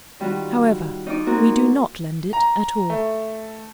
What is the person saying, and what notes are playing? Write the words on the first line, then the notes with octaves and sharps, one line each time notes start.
However, we do not lend it at all.
D#3 G3 F4 F#4
D#4 F4 D6
A#3 C4 F4 F#4 A#4
A#5
A3